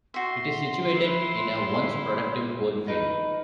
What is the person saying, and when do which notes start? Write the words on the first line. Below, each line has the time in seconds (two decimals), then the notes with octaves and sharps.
It is situated in a once productive coal field.
0.14 F#4 E5 C6
0.94 E4 B4
2.88 D#4 A#4 B4